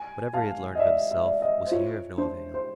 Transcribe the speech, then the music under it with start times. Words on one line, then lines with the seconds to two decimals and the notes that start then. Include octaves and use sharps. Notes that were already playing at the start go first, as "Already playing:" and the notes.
Whatever he had learned of himself was here of no avail.
Already playing: G#5
0.33 F5 A5
0.75 D#5
0.79 D5 E5
1.11 E5
1.26 D5
1.42 D#5
1.67 C5
1.72 F4 C#5
2.18 D4 C5
2.54 C5